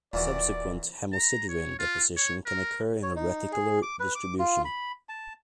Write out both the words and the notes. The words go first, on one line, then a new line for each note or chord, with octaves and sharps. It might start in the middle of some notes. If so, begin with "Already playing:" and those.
Subsequent hemosiderin deposition can occur in a reticular distribution.
D#1 A#2 E3 F#4 D5
A#5
C#5
F4
C#5
A#4
C#5
D#4
G#4
D6
B4
D6
F4
B5
A5